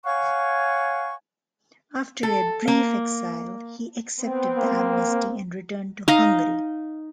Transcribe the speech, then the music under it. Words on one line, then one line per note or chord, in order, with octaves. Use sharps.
After a brief exile he accepted the amnesty and returned to Hungary.
C#5 F5 F#5 G#5 C#6
A4
A#3
B3 C4
A#3
D#4 D#5 F5